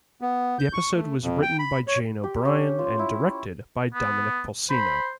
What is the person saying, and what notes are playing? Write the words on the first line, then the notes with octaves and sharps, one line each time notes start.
The episode was written by Jane O'Brien and directed by Dominic Polcino.
B3
G6
C#6
A3
F2
G5
B5
C#5
G4
C#4
F4
E4
B3
C5 B5